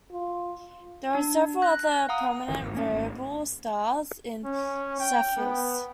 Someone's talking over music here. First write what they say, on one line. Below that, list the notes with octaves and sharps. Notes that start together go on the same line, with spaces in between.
There are several other prominent variable stars in Cepheus.
F4
D4
F#6 A#6
F5 F#5 A#5 D#6
F#1 D#3 E3
G#1
A#3 C#4
G#1
C#4
G5
B3